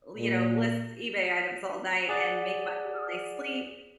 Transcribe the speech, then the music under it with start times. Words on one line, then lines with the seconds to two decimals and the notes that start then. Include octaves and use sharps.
li know, list eBay items all night and make money while I sleep,
0.17 A#2
2.09 G#4 D5 F#5